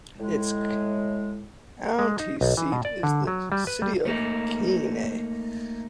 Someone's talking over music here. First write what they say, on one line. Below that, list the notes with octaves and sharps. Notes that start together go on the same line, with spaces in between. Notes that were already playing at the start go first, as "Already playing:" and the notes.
Its county seat is the city of Keene.
A2 G#3
G#3
D#4
B1
E3
B2
D5
D3
F#3
G3
B4
G3
A3 A#3 D#4